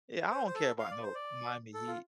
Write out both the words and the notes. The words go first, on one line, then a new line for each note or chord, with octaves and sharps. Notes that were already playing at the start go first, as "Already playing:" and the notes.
Yeah, I don't care about no Miami Heat.
C5
C5
A4
F5
D5
C5
D5
A4
F4